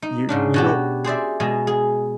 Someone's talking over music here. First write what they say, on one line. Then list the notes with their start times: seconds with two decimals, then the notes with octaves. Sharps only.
you you don't
0.02 D#4
0.29 G#2 C#3 D4
0.54 B2 F#4 G4
1.04 G#4 C5 D5 E5
1.40 B2 G#3 G#4
1.67 G#4